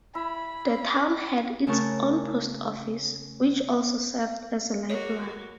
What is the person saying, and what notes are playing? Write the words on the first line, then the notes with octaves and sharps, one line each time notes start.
The town had its own post office, which also served as a library.
E4 B5
C#3 A3 F#4 A#4 A5 C#6
A#3 F#4 G#4 C#5